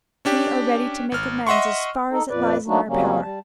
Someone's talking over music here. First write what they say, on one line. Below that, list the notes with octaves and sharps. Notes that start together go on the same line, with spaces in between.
We are ready to make amends as far as it lies in our power.
C#4 D4 G4
G#1 F6
D#5 E5 F#5 C6 C#6
D#4 A4
F2 A#2 B4 D5
F#3 A3 A#3 D4 D#4 F#4
F2 C#3 F#3 G3 A#3 C#4
G3 A5